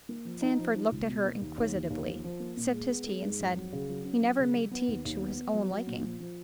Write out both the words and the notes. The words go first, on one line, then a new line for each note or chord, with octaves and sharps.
Sandford looked at her inquisitively, sipped his tea, and said, "He never made tea to his own liking."
A#3
F3
D#4
F3
D#4
C#2
B2
A#3
D#2
D#2
D#2
D#2
F3
F3
A#3
A#2
G#3
B3
G#3
G#2
F2
F#3
C#3
F#3
C#4
F#3
C#3
F#3
B3
D#2
D#2
B3
B3
F#3
F#3
A#2
F3
F3